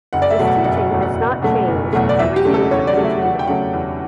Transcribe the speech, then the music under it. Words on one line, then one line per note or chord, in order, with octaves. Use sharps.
This teaching has not changed and remains unchangeable.
F#1 F#5
D5
E5
E2 B2 F#3 A3
F#5
F#1 F#5
F#5
E2 B2 F#3 A3
F#5
F#1
E2 B2 F#3 A3
F#1
E2 B2 F#3 A3
D5
E2 E5
G4
C#3 F#3 A3
A4
E2 C#5
D5
C#3 F#3 A3
E5
E2 F#5
G5
C#3 F#3 A3 F#5
E2